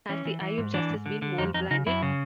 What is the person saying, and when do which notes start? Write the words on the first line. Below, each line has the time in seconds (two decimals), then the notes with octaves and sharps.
Has the eye of Justice been mole-blinded?
0.09 E3 C#4
0.25 E3
0.41 E3
0.58 G#2
0.74 E3 D4
0.90 G#2
1.06 D3
1.22 D3
1.38 F2 D#4
1.54 F2 D#4
1.71 C#3 D#4
1.86 F#2 E4
2.02 C#3